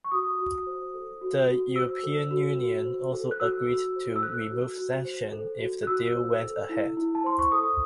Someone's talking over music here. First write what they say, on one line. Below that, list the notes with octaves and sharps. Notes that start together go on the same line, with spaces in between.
The European Union also agreed to remove sanctions if the deal went ahead.
C#6
F#4 D#6
F#4
C5
A4
F#4
F#4
C5 E6
A4
F#4
F#4
C5
A4
F#6
F#4 E6
F#4
C5
E6
A4 F#6
F#4
F#4
C5
A4
F#4
F#6
F#4 E6
C5
A4
E4
E4
A5
C5 C6
C#6
A4 D#6